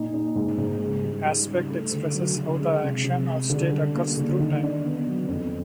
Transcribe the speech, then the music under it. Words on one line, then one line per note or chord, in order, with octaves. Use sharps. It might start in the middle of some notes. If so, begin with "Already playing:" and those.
Aspect expresses how the action or state occurs through time.
Already playing: A#2 D#4
D#4
G#2
G#2
C#3
G3
G3
C#3
A3
D3
F#3
D3
G#3
C3
C3
G#3
D3
G3
A#3
D3
D#3
D4
B3
F#3
F2